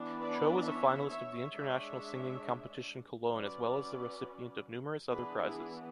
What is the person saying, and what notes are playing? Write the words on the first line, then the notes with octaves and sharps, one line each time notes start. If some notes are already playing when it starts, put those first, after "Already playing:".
Cho was a finalist of the International Singing Competition Cologne as well as the recipient of numerous other prizes.
Already playing: E3 B3 D4
B4 D5
C#5 E5
C#5 E5
G#3 D4 C#5 E5
F#3 C#4 B4 D5
E3 B3 D4 G#4 B4
E4 G#4